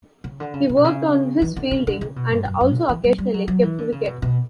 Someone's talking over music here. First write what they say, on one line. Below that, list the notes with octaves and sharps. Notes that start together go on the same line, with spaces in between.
He worked on his fielding, and also occasionally kept wicket.
C#3
D3
C#3
C#3
B2
C#3
E3
D3
C#3
D3
C#3
B2
G2
F#2
F#2
D3
E3
G3
G3
F#3
F#3
E3
D3
C#3
B2
B2